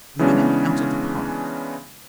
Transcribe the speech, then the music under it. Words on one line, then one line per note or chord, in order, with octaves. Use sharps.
We were now out of the park.
C#3 E3 G#3 B3 C#4 D4